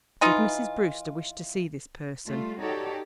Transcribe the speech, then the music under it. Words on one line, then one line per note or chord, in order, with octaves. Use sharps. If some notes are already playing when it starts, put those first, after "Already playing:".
"Did Mrs. Brewster wish to see this person?"
E3 D#4 F4
G3 A3 F4
D#4 F#4 G4 A4 C#5 D5